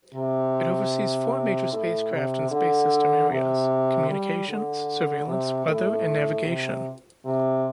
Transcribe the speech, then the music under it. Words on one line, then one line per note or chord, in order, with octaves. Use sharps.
It oversees four major spacecraft and space system areas: communications, surveillance, weather, and navigation.
C3
A2
C3
D3
C3
G3
D3
C3
A2
C3
C3